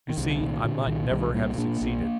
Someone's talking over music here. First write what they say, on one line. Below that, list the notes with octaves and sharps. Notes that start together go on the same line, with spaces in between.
You see, I might never have succeeded.
D#3
C2
D3
A#2 D#3
A#2 D3
C2 D#3
C2 D#3 G3
A#2 G3 A#3
A#2 A#3 D4
A#1